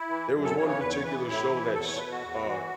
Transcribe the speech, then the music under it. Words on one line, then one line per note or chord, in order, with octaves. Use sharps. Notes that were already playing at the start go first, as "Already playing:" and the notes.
there was one particular show that's, uh,
Already playing: E4
E3
F#2
A4
C#3 E3 C#5
C#5
E2 B4
C#5
E3 B4
B3
A2 E4
E3
E2 A4
C#5
B2 B4
F#4
E2
E3